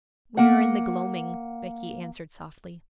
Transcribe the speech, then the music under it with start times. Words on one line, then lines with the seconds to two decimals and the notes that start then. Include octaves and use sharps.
'We are in the gloaming,' Becky answered softly.
0.37 A#3 F#5